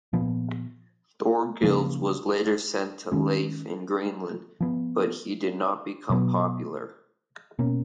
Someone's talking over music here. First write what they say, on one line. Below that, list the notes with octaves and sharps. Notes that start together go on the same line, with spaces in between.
Thorgils was later sent to Leif in Greenland, but he did not become popular.
A#2 F3 B3
C#3 F3 A#3
D#3 G#3 C#4
F3 B3
B2 F#3 B3
B2 A#3 C#4